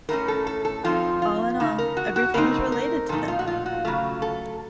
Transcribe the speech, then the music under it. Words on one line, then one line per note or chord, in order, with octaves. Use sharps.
All in all, everything is related to them!
A2 A3 C#4 A#4
A4
A4
A4
F3 C4 D#4 F4
F4
C#3 A3 D#4
A#4
F#4
F#4
C#3 A3 C4 D#4 A#4
A#4
A#2 F3 A3 D#4 A4
F4
F#4
F4
F#4
C#3 F#3 A3 F4
A4